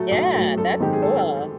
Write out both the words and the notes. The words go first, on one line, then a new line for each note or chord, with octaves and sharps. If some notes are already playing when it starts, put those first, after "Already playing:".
Yeah, that's cool.
Already playing: A2 F#3 A3 A4
B1
A2 F#3 A3
F#2 A4
D#3 G#3 C4 D#4 G4
G#4
A4